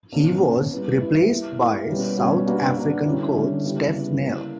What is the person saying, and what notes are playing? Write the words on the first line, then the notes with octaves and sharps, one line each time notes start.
He was replaced by South African coach Steph Nel.
B2 A#3 C#4
B2 A#3 C#4
G3 B3 E4 B4
G3 B3 E4 B4
A#3 E4 A#4
A#3 E4 A#4
B2 G3 C#4 F#4 B4
B2 G3 C#4 F#4 B4
A#3 D4 F#4 B4
A#3 D4 F#4 B4
D3 G3 C#4 E4 G4
D3 G3 C#4 E4 G4
C#3 G3 B3 E4
C#3 G3 B3 E4
A#3 E4 A#4